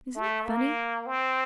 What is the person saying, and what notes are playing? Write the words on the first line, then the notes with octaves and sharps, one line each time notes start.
Isn't it funny?
A3
A#3
C4